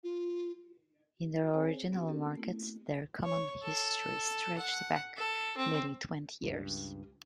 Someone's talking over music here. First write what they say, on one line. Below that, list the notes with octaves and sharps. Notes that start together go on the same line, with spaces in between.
In their original markets, their common history stretched back nearly twenty years.
F4
C4 G#4 C5 C#5 G#5
B3 C#4 F#4 G4
A#3 C4 C#4 G4 A4 A#4
A3 B3 E4
C#5
A4
F#5
A4
C4
C#2 G2